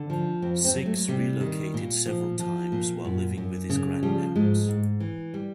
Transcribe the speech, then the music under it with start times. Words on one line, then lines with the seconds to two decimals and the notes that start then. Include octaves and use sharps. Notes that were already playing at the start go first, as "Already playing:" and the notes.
Sixx relocated several times while living with his grandparents.
Already playing: D3
0.10 F3
0.42 F2 C4
0.65 C4
0.76 F#3
0.86 A3
1.08 C3 G3
1.40 D#3
1.74 A#2
2.06 F3
2.39 F3
2.72 A#2
3.05 F#2
3.37 F#2
3.69 C#3
4.03 F3 G3
4.36 G#2 G#3
4.68 G#2
5.00 E3
5.34 G3